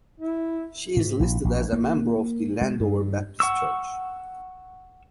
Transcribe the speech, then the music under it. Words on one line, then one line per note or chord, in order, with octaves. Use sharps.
She is listed as a member of the Landover Baptist Church.
E4
G#2
A#1
A#1
A#3
G#3
G2
F#5 C#6 E6